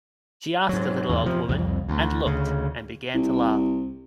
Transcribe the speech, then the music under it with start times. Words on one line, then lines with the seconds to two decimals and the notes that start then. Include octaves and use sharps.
She asked the little old woman; and looked, and began to laugh.
0.69 G#2 F#3
1.09 E2 G#2
1.23 C3 F3
1.49 C2 F2
1.88 D2
2.26 D2 C#3
3.14 C2